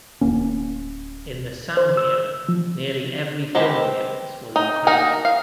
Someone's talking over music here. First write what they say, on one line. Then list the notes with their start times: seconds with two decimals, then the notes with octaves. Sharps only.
In the sound era nearly every film appearance was uncredited.
0.21 D1 A#3 C#4
1.77 C5
1.97 E6
2.49 F3
3.55 G#3 C4 G4 B4
4.56 D#4
4.87 A#3 D4 D#4 F#4 A#4
5.25 F5